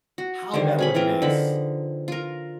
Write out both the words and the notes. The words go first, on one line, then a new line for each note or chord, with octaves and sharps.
how that would mix.
F#4
D3 D#3 G3 C5
C#4 G#4 B5
E3 C4 F4 A#4
D3 F3 D#4 B5
F4 A#4